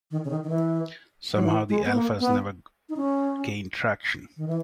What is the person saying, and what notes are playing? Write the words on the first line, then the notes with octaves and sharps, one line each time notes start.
Somehow, the Alphas never gained traction.
D#3
C#3
D#3
D#3
E3
F#3
E3
G#3
B3
A#3
B3
D#4
C#4
D#3
E3